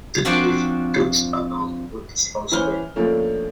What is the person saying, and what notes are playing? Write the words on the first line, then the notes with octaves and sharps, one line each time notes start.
The leaf drifts along with a slow spin.
F3 C4 D4 F4 F#4
E3 C#4 B4 C5 F6 G7
D3 F3 A3 A#3 C#4 D4